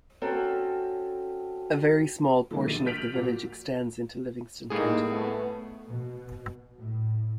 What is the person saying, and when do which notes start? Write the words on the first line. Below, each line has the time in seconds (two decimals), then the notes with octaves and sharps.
A very small portion of the village extends into Livingston County.
0.22 C4 C#4 F#4 A4
2.51 D3 D#3 F#3 G#3 A#3
2.65 A#1 A6 D#7
2.86 F6 G6 B6 D7 F7 F#7
3.14 A#2 F4 F#4
4.70 A2 G3 A#3 D#4 G#4
5.10 A3 B3
5.88 B2
6.78 A2